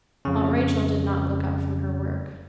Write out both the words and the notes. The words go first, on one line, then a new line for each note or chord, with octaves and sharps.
Aunt Rachel did not look up from her work.
F2 C#3